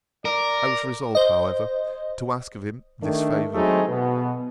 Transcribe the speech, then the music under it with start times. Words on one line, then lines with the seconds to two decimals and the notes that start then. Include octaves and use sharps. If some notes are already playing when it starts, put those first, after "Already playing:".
I was resolved, however, to ask of him this favour.
0.25 A#4 D5
1.15 C5 D#5
3.02 D#3 A3 D4
3.54 F#3 G#3 A3 C4 D#4 G#4
3.89 B2 B3